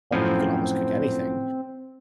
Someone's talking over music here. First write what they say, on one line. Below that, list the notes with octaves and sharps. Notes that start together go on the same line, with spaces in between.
you can al almost cook anything,
F#2 A2 F3 C4